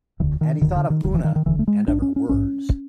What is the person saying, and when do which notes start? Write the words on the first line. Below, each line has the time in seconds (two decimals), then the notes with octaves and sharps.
And he thought of Oona, and of her words.
0.20 E1 D2 D3 E3
0.41 D#3
0.62 E1 D2 D3 D#3
0.76 D3
0.90 D#3
1.05 E1 D2 D3 D#3
1.14 E3
1.24 D#3
1.36 D#3
1.46 E1 D2 D3 E3
1.59 A3
1.68 G#3
1.88 A#1 G#2 D4
2.02 C#4
2.16 C#4
2.29 A#1 G#2 C#4